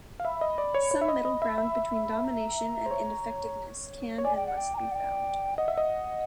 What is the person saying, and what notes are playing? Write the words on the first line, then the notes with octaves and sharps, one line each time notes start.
Some middle ground between domination and ineffectiveness can and must be found.
F5
E5 B5
D#5
D5
C#5
C#5
E5
D#5
D#5
E5
E5
A#5
C5
C#5
C#5
D5 G#5
G5
F#5
G5
A#5
G5
F#5
G5
D#5 F#5
E5
D#5